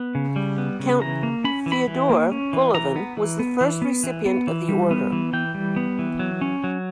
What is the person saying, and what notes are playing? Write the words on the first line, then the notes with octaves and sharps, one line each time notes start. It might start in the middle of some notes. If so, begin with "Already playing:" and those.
Count Fyodor Golovin was the first recipient of the order.
Already playing: B3
C#3
G3
B3
C#3
E3 A#5
A#3
C#4 B5
E3
B5
E3
A#3
C#4
E3
E3 A#5
B3
E3
B3
E3
B3
E3
B3
E3
G3
B3
E3
E3 G5
G3
B3
E3
F#3
C#4
F#3